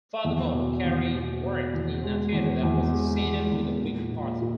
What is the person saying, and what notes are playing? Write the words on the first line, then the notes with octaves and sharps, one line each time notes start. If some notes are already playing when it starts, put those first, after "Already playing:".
Furthermore, Carey worked in a theatre that was associated with the Whig party.
E2
B2
E2
B2
B2
E2
G#3
E2
E2
G#3
G#3
E2
A#2
A#2
A#2